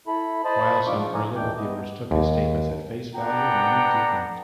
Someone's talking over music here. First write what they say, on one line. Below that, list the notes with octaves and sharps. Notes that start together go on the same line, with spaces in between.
While some early reviewers took his statements at face value, many did not.
E4 A4 B5
C5 D#5 A5 B5
G#2 F3 D4 F4 C#6 D6
G#5 A#5
D#2 D#3 E3 D4 G5 D6
B3 D#5
D#2
B3 D4 A4 F#5 G5 A#5